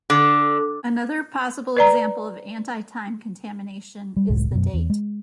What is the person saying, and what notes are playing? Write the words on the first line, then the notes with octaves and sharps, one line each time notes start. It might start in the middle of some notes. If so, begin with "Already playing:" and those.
Another possible example of anti-time contamination is the date.
D3
B4 D5 A#5
G3
F#1 C#2 A2 G#3
F#2 B2
E2
G#3